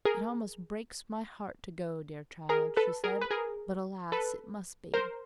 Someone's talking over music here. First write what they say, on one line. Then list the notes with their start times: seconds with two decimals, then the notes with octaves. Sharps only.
'It almost breaks my heart to go, dear child,' she said, 'but, alas! it must be.'
0.05 G#4 A#4
2.49 G#4 A#4
2.77 A4 B4
3.04 G#4 A#4
3.21 B4
3.31 G#4 A#4
4.12 A4 B4
4.94 A#4 C5